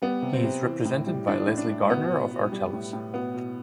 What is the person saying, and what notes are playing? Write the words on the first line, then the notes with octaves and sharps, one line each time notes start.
He is represented by Leslie Gardner of Artellus.
G3 B3
C3
C4
C3
E3
A2
G3
E3 D4
A2
D4
A2
B2 B3
B2
B2
G3
A2
A2
B2 B3
B2